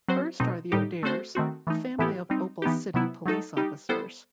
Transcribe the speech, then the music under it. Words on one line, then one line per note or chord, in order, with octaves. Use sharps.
First are the O'Dares, a family of Opal City police officers.
F#3 C4 F#4 C5
B2 F#3 A3 C4 D#4
A2 G3 D#4 G4
A3 C4 F#4 A4 C5
D#3 A3 C4 F#4
E3 A3 D#4
A2 E3 B3 E4 G4
G3 C4 D#4
E3 B3 D#4 G4
C3 F#3 B3 E4
F#3 A3 D#4 A4
G3 D#4 G4
G3 B3 E4 A4 C5